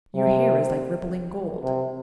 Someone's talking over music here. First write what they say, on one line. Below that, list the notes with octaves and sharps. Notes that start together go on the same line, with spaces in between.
Your hair is like rippling gold.
C3
C3